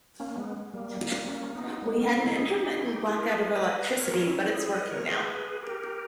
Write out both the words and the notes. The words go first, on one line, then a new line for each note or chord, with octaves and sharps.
We had an intermittent blackout of electricity, but it's working now.
A#3 C#4
G#3 B3
G3 A#3
G3 A#3
A#3 C#4
B3 D#4
G#3 B3
A#3 C#4
C#4 E4
E4 G#4
D#4 G4
D#4 G4
C#4 E4
D#4 G4
E4 G#4
A#4
G#4 B4
B4 D#5
A#4 C#5
C#4 E4
E4 G#4
B4 D#5
A#4 C#5
G#4 B4
G4 A#4